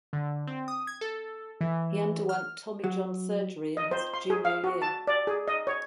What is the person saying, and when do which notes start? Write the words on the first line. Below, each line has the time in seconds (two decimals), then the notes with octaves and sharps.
He underwent Tommy John surgery his junior year.
0.13 D3
0.47 C4
0.68 D#6
0.87 G#6
1.01 A4
1.61 E3
2.29 F6
2.84 F#3
3.77 D#5
3.91 C5
4.14 C6
4.30 G#4
4.45 F5
4.64 F#4
4.82 A5
5.07 D5
5.27 G#4
5.48 D#5
5.67 C#5